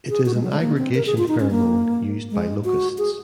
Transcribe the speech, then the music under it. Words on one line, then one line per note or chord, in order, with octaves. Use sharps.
It is an aggregation pheromone used by locusts.
G#4
F#4
G#3
F#3
G#3
A#3
C4
A#4
G#4
F4
D#4
C#4
A#3
G#3
F#4
G#4